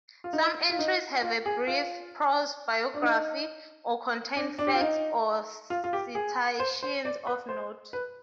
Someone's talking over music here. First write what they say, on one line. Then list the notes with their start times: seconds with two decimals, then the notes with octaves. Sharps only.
Some entries have a brief prose biography, or contain facts or citations of note.
0.24 F4
0.33 D#4
0.70 F4
0.79 D#4
1.22 F4
1.46 G#4
1.67 F4
2.94 D4
3.02 D#4
4.36 D4
4.58 D4
4.67 G4
4.74 F4
4.81 D#4
5.70 F4
5.84 F4
5.93 G4
6.15 G#4
6.60 C5
6.83 C5
7.05 D5
7.27 B4
7.49 C5
7.93 B4